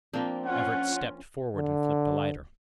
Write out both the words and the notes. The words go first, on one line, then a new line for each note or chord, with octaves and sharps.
Everts stepped forward and flipped a lighter.
F3 A#3 C4 D4
C#4 F4 F#5
D3